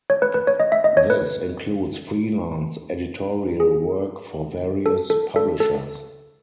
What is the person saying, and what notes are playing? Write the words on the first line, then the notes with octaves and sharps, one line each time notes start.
This includes freelance editorial work for various publishers.
C#5
B4
B4
C#5
D#5
E5
D#5
C#5
B4
G#4
A4
A4
A4
A4